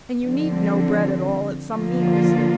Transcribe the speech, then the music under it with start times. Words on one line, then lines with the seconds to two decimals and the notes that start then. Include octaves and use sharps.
And you need no bread at all at some meals.
0.22 D3 F3 C4
1.72 D3 F3 A#3 F4